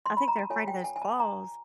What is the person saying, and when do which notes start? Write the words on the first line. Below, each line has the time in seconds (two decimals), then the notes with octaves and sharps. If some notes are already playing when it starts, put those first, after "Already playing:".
I think they're afraid of those claws.
0.06 C6
0.17 B5
0.28 A#5
0.39 A5
0.50 F4 A4 C#5 G#5
0.68 G5
0.84 G#5
0.96 G#5
1.02 A5
1.20 A#5